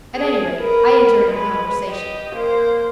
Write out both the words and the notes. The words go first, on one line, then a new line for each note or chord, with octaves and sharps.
At any rate, I enter into conversation.
G#4
A#4 B4
G#3 B4
G4 D#5
A#3 C5